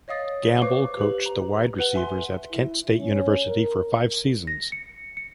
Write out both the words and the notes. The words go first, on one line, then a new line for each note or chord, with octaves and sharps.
Gamble coached the wide receivers at Kent State University for five seasons.
C#5 D#5 F5 D#6 A6
B4 C5 F5 C#6 D6
G4 B4 F#7
A#5
B4 F#5 G7
E5 G#5 C6
E4
C#4
A#4
A#6
C#7
C#7